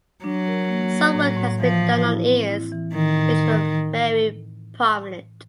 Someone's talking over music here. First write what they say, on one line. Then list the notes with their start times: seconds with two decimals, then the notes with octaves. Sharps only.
Some work has been done on ears which were very prominent.
0.24 F#3 D4
0.48 A#4
0.69 A#3
0.92 A#3
1.14 A2
1.37 A2
1.60 E3 F3
1.82 A2
2.04 E4
2.26 C4
2.50 E4
2.72 E3
2.94 A2 D#3
3.17 A2